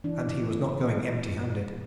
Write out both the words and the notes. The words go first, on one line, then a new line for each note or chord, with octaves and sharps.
And he was not going empty-handed.
E3 D4